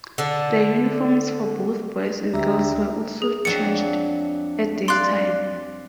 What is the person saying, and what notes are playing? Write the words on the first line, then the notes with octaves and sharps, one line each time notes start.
The uniforms for both boys and girls were also changed at this time.
D3 A4
D2 D4 G4 E5 A#5
G#4
F2 F#3 D4 C#7
D5 F5 C6 F#6